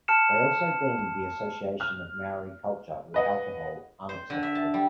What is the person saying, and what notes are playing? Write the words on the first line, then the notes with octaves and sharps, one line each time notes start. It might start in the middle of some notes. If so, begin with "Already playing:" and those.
They also deemed the association of Maori culture with alcohol unacceptable.
A5 F6 C#7 E7
F6 F#6
B4 D#5 F#5
C5
D3
E5
A5
G3